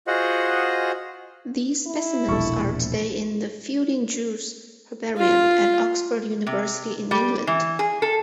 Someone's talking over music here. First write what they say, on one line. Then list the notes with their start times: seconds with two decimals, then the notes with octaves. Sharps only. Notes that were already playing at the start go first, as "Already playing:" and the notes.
These specimens are today in the Fielding-Druce Herbarium at Oxford University in England.
0.07 F4 F#4 G#4 C5 D#5 F#5
1.87 E4
2.29 E1 A#1 A4 C#6
5.17 F4
6.47 C3
7.11 G3
7.47 E3
7.79 G#4
8.02 A4